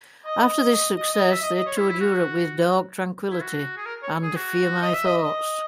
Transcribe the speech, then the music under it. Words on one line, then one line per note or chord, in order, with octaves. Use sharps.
After this success they toured Europe with Dark Tranquillity and Fear My Thoughts.
D#5
D#5
D#5
E5
D#5
D#5
C#5
E4
E4
F#4
E4
F#4
G#4
A#4
C#5
G#4
F#4
D#5
E5
D#5
D#5